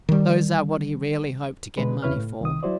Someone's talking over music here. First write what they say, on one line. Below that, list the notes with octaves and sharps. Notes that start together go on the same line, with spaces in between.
Those are what he really hoped to get money for.
D#3 G3
B2 D3 G#3 B4
E2 C#3 E4 B4 C#5 F6
A2
C2 D#3 D#6
F#3 E4 F#4 C5 D5